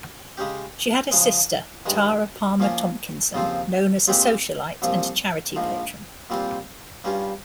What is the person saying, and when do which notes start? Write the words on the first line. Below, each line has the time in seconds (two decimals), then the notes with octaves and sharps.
She had a sister, Tara Palmer-Tomkinson, known as a "socialite" and charity patron.
0.37 C#3 G#3 C#4 G4
1.11 C#3 F3 G#3
1.86 G2 D#3 G#3
2.60 A#2 F3 A#3 C#4 F4
3.34 D#2 C#3 F3 C4 F4
4.08 A#2 G#3 C4 G4
4.82 C2 A#2 F3
5.56 A#1 G#2 F3
6.30 A#2 G3 C4 F4
7.04 G2 G3 C#4 F4